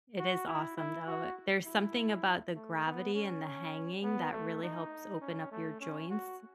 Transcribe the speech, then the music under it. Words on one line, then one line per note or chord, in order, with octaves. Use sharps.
It is awesome, though, it There's something about the gravity and the hanging that really helps open up your joints
F#4
E4
E4
F#4
E4
A3
B3
C#4
B3
A3
D#4
C#4
A3
C#4
F#4